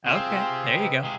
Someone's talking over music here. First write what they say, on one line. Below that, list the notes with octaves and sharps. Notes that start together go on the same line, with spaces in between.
Okay, there you go.
C3 C4 F4 G#4 C6
B4 D#5
C3 G#3 F5